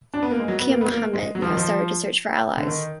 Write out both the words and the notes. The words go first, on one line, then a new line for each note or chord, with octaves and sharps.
Kiya Muhammad now started to search for allies.
D4
B3
A#3
G#3
F#3
B3
A#3
B3
A#3
G#3
F#3
F3
D#3
F3
D3
D#3